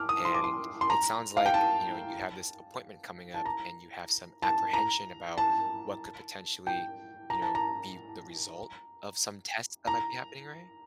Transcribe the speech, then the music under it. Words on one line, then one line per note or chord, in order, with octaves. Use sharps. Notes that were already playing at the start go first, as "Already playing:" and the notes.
And it sounds like, you know, you have this appointment coming up, and you have some apprehension about what could potentially, you know, be the result of some tests that might be happening, right?
Already playing: D6 F6
D#6
C6
D6
C6
C6
A#5
F5
G5
A5
A5
A#5
A5
A#5
A5
G5
A#5
A5
A#5
A#5